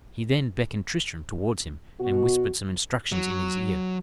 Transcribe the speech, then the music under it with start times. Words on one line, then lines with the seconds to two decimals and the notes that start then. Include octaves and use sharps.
He then beckoned Tristram towards him, and whispered some instructions in his ear.
2.00 B2 F#4
3.12 F#3